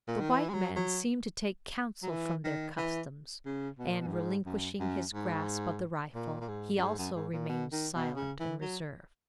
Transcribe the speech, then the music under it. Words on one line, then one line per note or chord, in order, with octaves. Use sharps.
The white man seemed to take counsel from their customs, and, relinquishing his grasp of the rifle, he also remained silent and reserved.
A#2
D#3
E3
G#3
F#3
F#3
F#3
E3
D#3
E3
C#3
B2
A#2
B2
F#2
G#2
F#2
F#2
G#2
A#2
A#2
G#2
F#2
G#2
F#2
G#2
A#2
B2
D#3
B2
C#3
E3
F#3